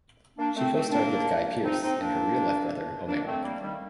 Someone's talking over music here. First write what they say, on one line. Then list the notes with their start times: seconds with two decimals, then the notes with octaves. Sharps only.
She co-starred with Guy Pearce and her real-life brother, Omero.
0.38 A#3 D4
0.56 A3 C4
0.74 A3 C4
0.92 A#3 D4
1.64 C4 D#4
1.82 C4 D#4
2.00 A#3 D4
3.08 A#3 D4
3.27 A3 C4
3.44 G3 A#3
3.62 D#3 G3